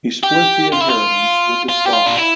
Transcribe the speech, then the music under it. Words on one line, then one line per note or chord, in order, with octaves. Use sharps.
He split the inheritance with his father.
G4
F4
E4
F4
F4
G4
F4
D4
E4